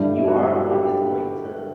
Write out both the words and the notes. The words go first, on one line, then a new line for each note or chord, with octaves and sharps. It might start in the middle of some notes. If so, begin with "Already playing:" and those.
you are goin it's going to,
Already playing: G2 D3 G3 E4
E4
F#4
G4